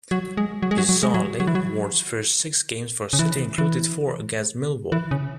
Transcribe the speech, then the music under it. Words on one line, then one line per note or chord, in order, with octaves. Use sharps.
Bizarrely, Ward's first six games for City included four against Millwall.
F#3
G#3
F#3
G#3
F#3
F#3
G#3
F#3
F#3
E3
F#3
C#3
E3
E3
E3
C#3